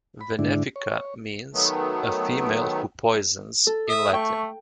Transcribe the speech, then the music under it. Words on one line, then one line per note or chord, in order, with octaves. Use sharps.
"Venefica" means "a female who poisons" in Latin.
B5
G#2 D3 D4 E4
C#5
D#3 F#3 A3 B3
A4
E5 D#6
A3 G5 C#6